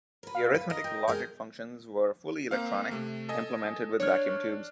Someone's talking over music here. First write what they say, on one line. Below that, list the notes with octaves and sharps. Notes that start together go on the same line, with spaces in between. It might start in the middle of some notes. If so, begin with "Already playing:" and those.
The arithmetic logic functions were fully electronic, implemented with vacuum tubes.
A#4 B4
F5
B4
A#4 D#5
A#4 G5
G#3 G#4 A#4 G6
A#3 C4 F5
C3 A3
A4 D#5 G#5
D4 C#5 F6